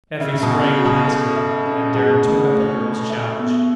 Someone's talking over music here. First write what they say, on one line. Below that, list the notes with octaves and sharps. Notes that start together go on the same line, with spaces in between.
Effie sprang past them, and Darrow took up the girl's challenge.
C#3 E5
B2
G#5
C#3
F#4
B2
A4
E5
C#4
B2 G#4
B2
C#3
A3
D3
A3
C#4
A4
E5
B3